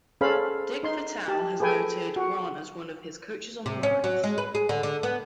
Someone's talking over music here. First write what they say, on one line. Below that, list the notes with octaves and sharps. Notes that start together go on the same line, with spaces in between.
Dick Vitale has noted Grant as one of his "Coaches on the Rise".
C#4 G#4 A4 C5 F5 B5
D#4 C6
G4 A5
G#4 A4 B4 G5 G#5
F#4
C3
C#4
F#3
G#3
B4
G#4
D3
D3
B3